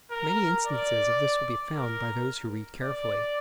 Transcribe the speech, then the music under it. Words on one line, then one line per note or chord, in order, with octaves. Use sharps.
Many instances of this will be found by those who read carefully.
A#4
D5
A#4
D5